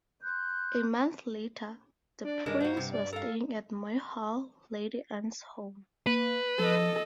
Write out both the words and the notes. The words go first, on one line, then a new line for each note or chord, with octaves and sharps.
A month later the Prince was staying at Moy Hall, Lady Anne's home.
C6 F#6 G6
D4 D5
G2 D#3 G#3 D4 A#4
A#3 F#4 C5
C3
D5
A4 A#4 F5
A#3 B4
F3 A4 D#5